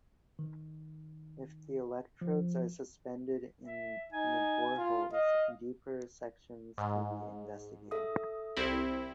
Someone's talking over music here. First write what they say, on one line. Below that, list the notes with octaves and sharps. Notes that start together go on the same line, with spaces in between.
If the electrodes are suspended in the boreholes, deeper sections can be investigated.
D#3
F3
E5
D#4 G#5
F4
D#5 F5
G#2
A4 E5 D#6
C2 C4 E4